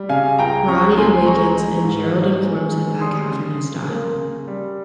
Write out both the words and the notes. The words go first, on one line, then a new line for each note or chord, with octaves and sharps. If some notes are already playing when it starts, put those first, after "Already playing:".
Roddy awakens and Gerald informs him that Katherine has died.
Already playing: G3
C#3 F5 G#5
C#2 G5 A#5
C#2 A#5 C#6
C#2 G#5 C6
G#3 A#5 C#6
D#4
G#2
F3
G#3
G#3
G3 C6 D#6
C#3
C#3
A#3
C#3
G3